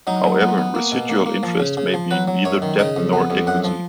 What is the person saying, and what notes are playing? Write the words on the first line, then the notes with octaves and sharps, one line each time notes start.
However, residual interests may be neither debt nor equity.
F#3 D#4
F#3
B3
B3
A#3
B2
A#3
A#3
F3
C#3
C#3
F3
F#3 B4
F#3
F#2 C#5
D#3
C#3 D#5
F2
B3
F2
F#2 F#5
F3